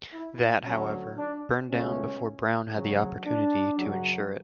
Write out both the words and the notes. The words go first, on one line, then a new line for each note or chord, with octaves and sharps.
That, however, burned down before Brown had the opportunity to insure it.
E4
D2 D3 F#3 C#4
D4
C#2 B2 A3 C#4
D2 C#3 F#3
D4
F#2 C#3 F#3